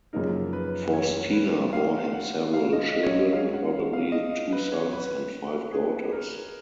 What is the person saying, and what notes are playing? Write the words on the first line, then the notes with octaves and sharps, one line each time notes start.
Faustina bore him several children, probably two sons and five daughters.
F#2 C#3 F3 A#3 D#4 A#4
B4
C#5
B4
F5
F#5
F5
D#5
D#5
C#5
D#5
G#3 C#4 F#4 F5
F#5
F5
F5
D#5
B4
C#5
B4
G#4
A#4